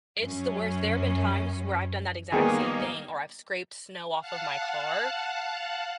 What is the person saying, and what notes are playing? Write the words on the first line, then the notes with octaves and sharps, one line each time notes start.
It's the worst. There have been times where I've done that exact same thing, or I've scraped snow off of my car,
F#2 C#4
D#3 G3 A#3 B3 D#4 G#4
F5 F#5 A5 F#6